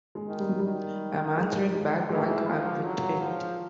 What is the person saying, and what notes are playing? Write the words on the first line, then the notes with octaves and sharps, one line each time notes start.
I'm answering back, like, 'I'm wit it'.
G#3
D#3
G3
F#3
D#3 G3
G#3
G#3
E3 G#3
A3
G#3
F3
F#3
F3